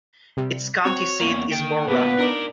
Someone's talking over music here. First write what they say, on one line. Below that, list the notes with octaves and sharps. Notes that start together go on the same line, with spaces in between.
Its county seat is Mora.
C3 G3
C4 F#4 C#5
E2 A#3 C#4
D#3 G5
A#2 D3 B3 B4
D4 D#4 A#4 D5